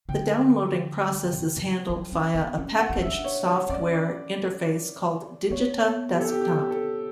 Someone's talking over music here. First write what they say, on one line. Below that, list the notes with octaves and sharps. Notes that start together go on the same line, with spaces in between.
The downloading process is handled via a packaged software interface called 'Digita Desktop'.
D3 G5
F#3
C#4
B3
C#4
F#5
D4
C#4
D4 E5
C#5
C#5
C#4 D5
B3 C#5
G4
A4
G4
G4
A4